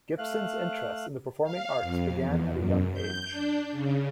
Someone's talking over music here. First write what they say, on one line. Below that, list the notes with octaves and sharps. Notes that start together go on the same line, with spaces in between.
Gibson's interest in the performing arts began at a young age.
A3 F5 F#6
F5
F2
E2
F#2
G6
D4
C#3